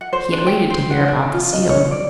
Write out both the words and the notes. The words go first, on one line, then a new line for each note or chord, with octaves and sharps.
He had waited to hear about the seal.
F#5
C5
D4
G5
C5
F#5
D4
F4
D#5
C#5
D5